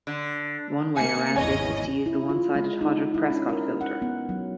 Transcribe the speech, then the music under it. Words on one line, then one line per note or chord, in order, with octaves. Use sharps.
One way around this is to use the one-sided Hodrick-Prescott filter.
D3
A#3 G#5 C#7
G#1 E2 C#5 D#5 G#5
E4
F4
G#3
D#4
E4
C#4
A#4
F#5
B3
F#3